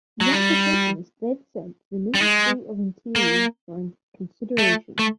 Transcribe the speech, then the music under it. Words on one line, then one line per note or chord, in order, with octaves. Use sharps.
The application is then sent to the Ministry of Interior for consideration.
F#3
G3
G3
G#3
A#3
A3
A3